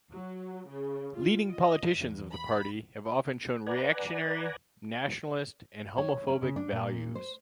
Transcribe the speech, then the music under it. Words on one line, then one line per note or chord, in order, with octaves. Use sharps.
Leading politicians of the party have often shown reactionary, nationalist, and homophobic values.
F#3
C#3
F4
D#5
E2
B5
B4 D5 F#5 G#5 A#5
C#5
C#4
C#3
D4
A#2
C5